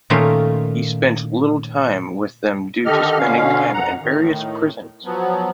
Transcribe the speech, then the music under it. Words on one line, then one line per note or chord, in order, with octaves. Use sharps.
He spent little time with them due to spending time in various prisons.
A#2 D#3 A3 A#3 C#4 F4
D3 D#3 G4 A4 D#5 F6
B2 D3 C#4 F5
F2 F#5 A#5
A2 D#3
F3 F#3 B3